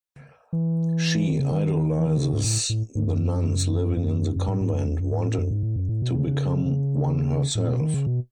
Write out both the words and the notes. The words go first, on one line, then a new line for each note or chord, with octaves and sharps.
She idolizes the nuns living in the convent, wanting to become one herself.
E3
D#3
C#3
D#3
E3
D#3
C#3
G#2
A2
A2
G#2
F#2
F#2
F#2
G#2
G#2
F#2
E2
F#2
G#2
A2
F#2
G#2
A2
F#2
A2
B2
C#3
C#3
C#3
A2
B2
D#3
C#3
B2